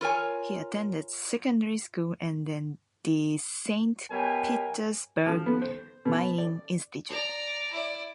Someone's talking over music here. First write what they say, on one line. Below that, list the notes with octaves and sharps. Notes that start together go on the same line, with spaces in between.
He attended secondary school and then the Saint Petersburg Mining Institute.
F4 A#4 C#5 G#5
B2 F#3 G4 A#4 G#5
F3
B3
C5
B2
D5
D5 A#5
E4 D5